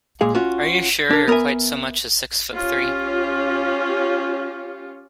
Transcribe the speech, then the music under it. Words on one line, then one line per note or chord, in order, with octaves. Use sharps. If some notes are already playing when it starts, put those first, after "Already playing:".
Are you sure you're quite so much as six foot three?
A#2 G#3 G#4 F5
C#4 F4 F#4
D4 A#4
B3 A#4 C#5 E5 G#5
C#4 F4 G4